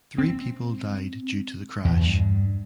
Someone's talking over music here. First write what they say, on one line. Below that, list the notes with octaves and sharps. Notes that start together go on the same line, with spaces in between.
Three people died due to the crash.
C4
E2
G2